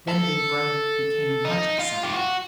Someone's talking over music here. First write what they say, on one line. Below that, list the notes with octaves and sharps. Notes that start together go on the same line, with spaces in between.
Then Big Brother became much excited.
A4
D#4
F4
G4
F#4